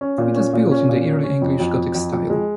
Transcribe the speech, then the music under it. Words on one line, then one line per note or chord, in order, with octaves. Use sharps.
It is built in the Early English Gothic style.
C#4
A#2
C#4
A#2
C#4
A#2
C#4
C#4
F2
F2
F2
F2
F2
G#3